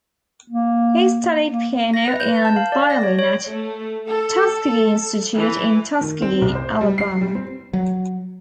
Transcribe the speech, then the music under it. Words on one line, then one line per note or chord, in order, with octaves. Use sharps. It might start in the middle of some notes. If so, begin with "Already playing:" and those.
He studied piano and violin at Tuskegee Institute in Tuskegee, Alabama.
A#3
A#3
A#6
B4
G6
A5
F5
D5
A#6
C#5
C#5
A3
A4
E3
D#3
C4
C2
C5
G3
C7
G3
C4
F#3